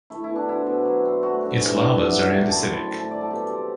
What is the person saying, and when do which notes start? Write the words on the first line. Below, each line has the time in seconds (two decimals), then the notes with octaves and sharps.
Its lavas are andesitic.
0.10 A3 E4
0.24 E4
0.29 B2
0.36 D4
0.49 C4 E4
0.66 B2
0.85 F#3
1.05 C4
1.23 A3 F#4
1.43 G2
1.60 E3
1.79 D4
1.98 B3 D5
2.11 E5
2.18 F#2
2.23 F#5
2.36 F#3 G5
2.49 A5
2.55 A2 B5
2.61 C6
2.73 C4 B5
2.86 G5
2.93 A2
2.99 A5
3.11 F#3 D5
3.21 A4
3.31 B2 G4
3.49 C4